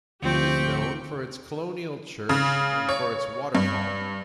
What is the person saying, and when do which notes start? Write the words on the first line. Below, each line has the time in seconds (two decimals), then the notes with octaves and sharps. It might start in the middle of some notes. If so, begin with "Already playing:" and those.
It is known for its colonial church and for its waterfall.
0.22 D2 F3 C4 G4 G5 C#6
2.29 C#3
2.89 C#5
3.55 G2